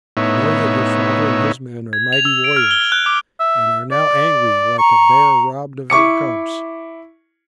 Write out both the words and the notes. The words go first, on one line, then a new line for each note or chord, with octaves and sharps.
You know that your father and his men are mighty warriors and are now angry, like a bear robbed of her cubs.
A2 B3 D#4 C#5 E5
G#6
F7
E6
D7
F6
G7
F#6
D6
E5
D5
A#5 C#6
E4 C#6 D6 C#7